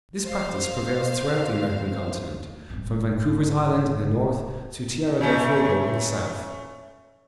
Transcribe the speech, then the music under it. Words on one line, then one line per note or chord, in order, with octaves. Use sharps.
This practice prevails throughout the American continent from Vancouver's Island in the north to Tierra del Fuego in the south.
C5 F5
D#1 G#2
A#2 A3 C#4